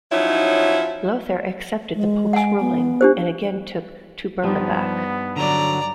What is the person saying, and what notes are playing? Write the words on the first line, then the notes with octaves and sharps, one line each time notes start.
Lothair accepted the pope's ruling and again took Teutberga back.
F3 F#3 C#4 D#4 E4
G#3
F#5 G#5
B3
D4 G4 C5
G2 F3 B3 D#4 D6
D3 F#3 D5 A#5